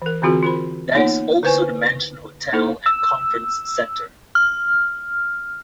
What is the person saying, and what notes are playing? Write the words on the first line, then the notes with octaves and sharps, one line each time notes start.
There is also the Mansion Hotel and Conference Centre.
E3 A#4
D3 E3 C4 F4 F#4 G#4
F4 A#4 C5 B5
A#3 B3 D#4 F4 C#5 F#5
D3 E4 B4 C5 G#5 C#6
A#3 D#4 E4 A4 C5
E6
F6